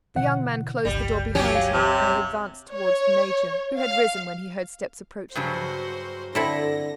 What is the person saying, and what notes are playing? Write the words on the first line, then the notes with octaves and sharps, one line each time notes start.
The young man closed the door behind him, and advanced towards the major, who had risen when he heard steps approaching him.
B2 D3 E3 F#5
G1 C#2 G3
F#3 C#4 G4
F5
C3
C#5
F5
G2 C#3 F#3 F#4 C5
D3 C4 E4 A4 A#6